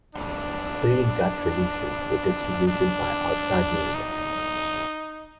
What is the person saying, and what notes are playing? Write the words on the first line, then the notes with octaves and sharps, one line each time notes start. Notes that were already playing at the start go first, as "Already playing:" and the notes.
Three Gut releases were distributed by Outside Music.
D4
D4
D#4